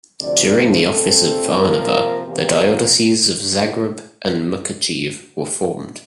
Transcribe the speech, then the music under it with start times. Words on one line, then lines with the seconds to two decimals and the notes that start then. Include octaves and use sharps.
During the office of Varnava, the dioceses of Zagreb and Mukacheve were formed.
0.21 D2 C3 F3 D5
0.56 C5
0.90 A#2 A3 C4 A4
1.58 C3 F3 A#3 A#4
2.27 E2 C3 E3 A#3 G4
2.62 F4